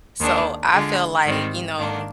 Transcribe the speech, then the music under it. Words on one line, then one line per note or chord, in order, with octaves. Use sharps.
So I felt like, you know,
D#2 D#3 G#3 D4
D3 G#3 D4 F4
G#2 D#3 G3 C4
G#2 D#3 A#3 D4